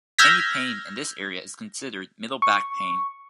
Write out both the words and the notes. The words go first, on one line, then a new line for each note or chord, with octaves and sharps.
Any pain in this area is considered "middle back pain".
E6 F6 G6 G#6 A#6 B6
C#6